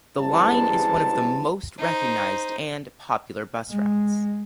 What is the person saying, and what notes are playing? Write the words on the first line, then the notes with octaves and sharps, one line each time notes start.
The line is one of the most recognized and popular bus routes.
F#1 G#2 C3 E3 G3 A5
D#4 C5
G#3